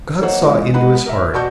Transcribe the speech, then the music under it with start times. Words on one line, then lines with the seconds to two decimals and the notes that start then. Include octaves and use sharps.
God saw into his heart.
0.22 A#3 D#4 C5 C#5 F#5
0.41 A#2 E3 G#3
0.74 G#3 D#4 B4 F#5
0.94 B3 B5
1.06 A#4 E5
1.33 B2 F#4 D5 A5 C#6 G6